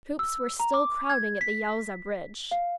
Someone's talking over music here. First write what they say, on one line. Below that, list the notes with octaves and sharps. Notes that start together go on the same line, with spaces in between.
Troops were still crowding at the Yauza bridge.
E6
A#5
D6
G#6
B6
F5